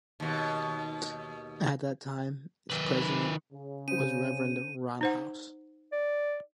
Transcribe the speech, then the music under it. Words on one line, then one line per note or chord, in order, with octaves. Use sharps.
At that time, its president was Reverend Ronn Haus.
D#2 B2
D#3 B4
C#3
C#4 C5 D#7
D#4 C5 F#5
D5